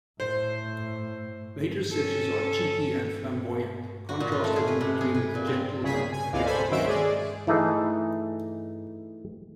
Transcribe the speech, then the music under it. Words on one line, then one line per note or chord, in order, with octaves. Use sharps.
Later sections are cheeky and flamboyant, contrasted in between with gentle and reflective melodies.
A2 C5
C#4 A4
F#4
A#2
F4
A3
G#4
B4
C3
G#4
B4
A#2
C4
C2 A#2 C#3 G#4 B6
G#5
C#2 A#2 E3 G#3 D5 F5
A4 C5 G#5 B5
D#3 F#3 C#4 C5 E5 D7
G#3 G#4 D5
E3 A3 D#4 G#4